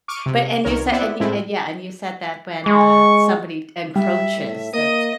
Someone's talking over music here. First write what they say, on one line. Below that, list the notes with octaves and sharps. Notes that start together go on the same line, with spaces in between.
But and you said and y and, yeah, and you said that when, uh, somebody encroaches that
C#6 D6 F6 D7 D#7
C3
C2 A#2 D#3 A#4 C#5
B3 C4 E4 D5 E5 F#5
A2 G#3 A3 C4 E4
G#3 C#6
G3 E5
A2
A#3 D#5 D#6